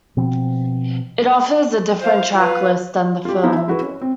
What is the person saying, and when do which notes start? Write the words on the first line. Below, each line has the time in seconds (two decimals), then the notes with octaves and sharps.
It offers a different track list than the film.
0.17 B2 F3 C4
2.01 C5 F5
2.34 F4 B4
3.25 F4 G4
3.43 E3 B3 D#4 E4
3.56 E5
3.68 E4 F#4 G#4 B4
3.81 C#4
4.01 C4